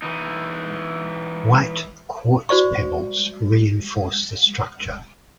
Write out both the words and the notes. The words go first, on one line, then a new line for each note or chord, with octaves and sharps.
White quartz pebbles reinforce the structure.
E3 D#4
F#4 C5 D5 C#6